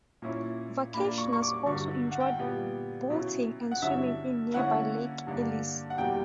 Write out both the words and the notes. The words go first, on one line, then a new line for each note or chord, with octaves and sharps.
Vacationers also enjoyed boating and swimming in nearby Lake Ellis.
A#2 A#3 C#4 E4
A#2 A#3 D4 B5
C#6
C#6
D6
G2 D3 F#3 C#6
F#5
G5
A#2 G3 B3
B2 F#3 C#4 E4
F#5
G2 D3 F#3 C#4 E4 E5
D3 A#3 C#4 E4 F#5
G2 D3 A#3 D4
F#5
E2 B2 G3 A#3 G5